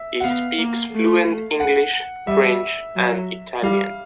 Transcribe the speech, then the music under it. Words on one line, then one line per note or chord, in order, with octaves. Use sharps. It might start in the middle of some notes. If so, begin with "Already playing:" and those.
He speaks fluent English, French, and Italian.
Already playing: E5
F#5
B3 F5
A#3
A3
F#5
G3 E5
F#3
G3 F5